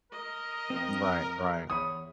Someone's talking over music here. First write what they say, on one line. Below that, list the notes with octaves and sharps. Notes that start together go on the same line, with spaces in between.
Right, right.
A#4 D#5
F2 F3 C4
E2 C#5 B5 D#6